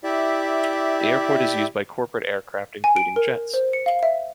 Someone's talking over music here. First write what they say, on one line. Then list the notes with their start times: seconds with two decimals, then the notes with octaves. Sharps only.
The airport is used by corporate aircraft including jets.
0.04 E4 G4 D5 E5
2.84 G#5
2.96 D7
3.16 A#4
3.54 C5
3.73 C#7
3.86 F5
4.03 E5